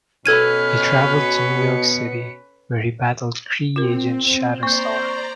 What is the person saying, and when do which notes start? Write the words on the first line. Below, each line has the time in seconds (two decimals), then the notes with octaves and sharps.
He traveled to New York City, where he battled Kree agent Shatterstar.
0.26 B2 C#4 A4 B4 F6 G#6 D#7
1.22 C#7
3.76 C4 F4 A#4
4.63 A#3 C5 D5 A#5 C#6 G6